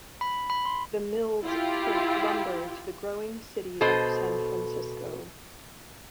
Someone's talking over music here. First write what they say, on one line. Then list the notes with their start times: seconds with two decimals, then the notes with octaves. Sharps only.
The mills sent lumber to the growing city of San Francisco.
0.21 B5
0.50 B5
0.65 C6
1.43 E4 F4 G4
3.81 B2 A4 C5 D#5